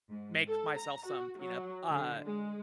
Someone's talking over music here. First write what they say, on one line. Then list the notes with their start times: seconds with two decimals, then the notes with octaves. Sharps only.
make myself some peanut, uh
0.10 G#2
0.47 A4
0.76 A#5
1.05 F#4
1.38 F#3
1.91 D3
2.25 G#3